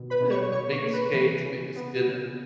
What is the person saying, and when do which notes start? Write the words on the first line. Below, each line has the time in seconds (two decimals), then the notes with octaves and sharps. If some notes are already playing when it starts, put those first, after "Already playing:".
Yeah, make us cakes, make us dinner,
Already playing: B2 D#3
0.10 B4 B5
0.21 B2
0.31 C#5 C#6
0.52 B2 C#5 C#6
0.72 C#5 C#6
0.83 A#3
0.93 B4 B5
1.14 E3
1.45 C#3
1.76 B3
2.08 C#3